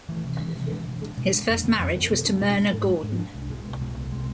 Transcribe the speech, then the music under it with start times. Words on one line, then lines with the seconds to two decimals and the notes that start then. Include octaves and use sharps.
His first marriage was to Myrna Gordon.
0.09 E3 A3
0.24 C3
0.40 E3 G#3 D4
0.56 C3
0.71 E3 G#3 D4
0.86 B2
1.02 G#3 B3 D4
1.18 B2
1.33 G#3 B3 D4
1.49 F2
1.64 D3 F3 B3
1.80 F2
1.95 D3 F3 B3
2.11 B2
2.26 G#3 D4
2.41 B2
2.57 G#3 D4
2.73 G#2
2.88 G#3 D4
3.03 G#2
3.19 G#3 D4
3.35 C2
3.50 B2 G#3
3.66 C2
3.81 B2 G#3
3.97 C2
4.12 C3 G#3